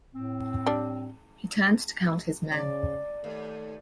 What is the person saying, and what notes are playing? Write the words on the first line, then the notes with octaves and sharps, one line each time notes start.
He turned to count his men.
A2 C4
G3 D4
C#3 D5
D#2 A3